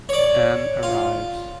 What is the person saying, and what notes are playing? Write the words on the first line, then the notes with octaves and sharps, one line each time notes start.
Anne arrives.
C#5 D5
F4